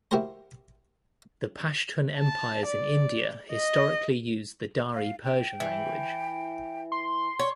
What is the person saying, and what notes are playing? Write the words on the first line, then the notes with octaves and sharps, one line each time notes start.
The Pashtun empires in India historically used the Dari Persian language.
E4 F#4 G4 A#4 C5 A#5
A5
D5
D#5
F5
G5
E3
C6
C#5